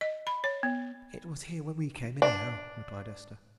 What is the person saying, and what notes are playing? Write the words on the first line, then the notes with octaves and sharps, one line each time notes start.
"It was here when we came, anyhow," replied Esther.
D#5
B5
C#5
B3
D4